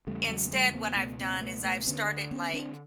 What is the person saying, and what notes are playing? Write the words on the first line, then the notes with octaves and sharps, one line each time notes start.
instead what I've done is I've started, like
E2 C#3 G3 A3
F#3 G#3
A#3
G3 A3
A#3 C4
C#2 B2 A3 B3
A#3 C4
A3 B3
A3 B3
D2 D3 B3 C#4
B3 C#4
C4 D4